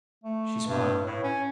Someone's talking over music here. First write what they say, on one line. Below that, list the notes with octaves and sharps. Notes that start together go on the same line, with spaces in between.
She smiled.
A3
G2
A2
C#4